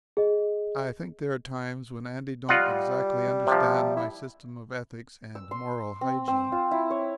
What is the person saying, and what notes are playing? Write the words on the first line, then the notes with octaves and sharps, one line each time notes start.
I think there are times when Andy don't exactly understand my system of ethics and moral hygiene.
G#4 D#5
G3 F4 D#5 F#5
C3 F3
E4
E6
C6
C4
C4
F4
E4
C#5